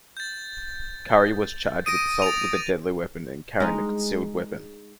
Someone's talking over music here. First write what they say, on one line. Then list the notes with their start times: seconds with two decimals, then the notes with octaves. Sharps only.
Curry was charged with assault with a deadly weapon and carrying a concealed weapon.
0.17 G6 A6
1.86 D#6 A#6 D7 D#7
2.22 A6 D#7 F7
3.60 G#3 D#4